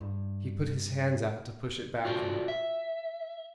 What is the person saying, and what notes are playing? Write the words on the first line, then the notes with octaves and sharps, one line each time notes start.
He put his hands out to push it back from him.
G2
F4 F#4 A4 C5 D5
E5